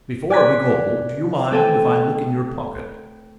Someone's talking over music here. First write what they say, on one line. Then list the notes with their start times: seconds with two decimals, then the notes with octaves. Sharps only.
"Before we go, do you mind if I look in your pocket?"
0.30 D5 G#5 F#6 B6
1.51 A3 C4 A4 G5 G#5